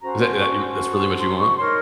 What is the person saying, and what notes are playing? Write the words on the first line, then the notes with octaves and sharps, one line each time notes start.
Is that that that's really what you want?
C#4 F#4 A4 C5 A#5
C6
C#6
C6
C#6
D#4 A#4 C#5 C6